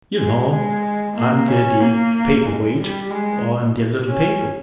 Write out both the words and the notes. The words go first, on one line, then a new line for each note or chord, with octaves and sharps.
"You know--under the paperweight on the little table."
G#3
G#3
A#3
C#4
A#3
G#3
G3
G#3
C#4